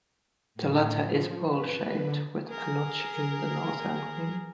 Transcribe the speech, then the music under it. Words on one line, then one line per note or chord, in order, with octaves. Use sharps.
The latter is bowl-shaped with a notch in the northern rim.
A2
F3
B4
D3
G#4 A#4